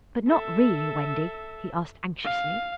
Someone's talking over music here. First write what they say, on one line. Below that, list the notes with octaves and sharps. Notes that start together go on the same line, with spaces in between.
'But not really, Wendy?' he asked anxiously.
A4 E5
F5